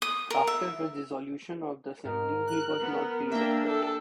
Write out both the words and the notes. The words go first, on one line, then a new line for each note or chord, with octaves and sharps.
After the dissolution of the assembly he was not re-elected.
D#6
A#4
E5
G#2 A#4
F#6
B3
A#3 D4 E5 G5
A4